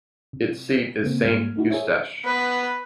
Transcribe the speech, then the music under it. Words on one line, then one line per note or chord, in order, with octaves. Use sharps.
Its seat is Saint-Eustache.
C3
C#3 A#3 C4
G#2 G3 A#3 F6 G#6
A3 D#4 E4 F#4
G#4 A#4 C5 C#5 E5
B3 B4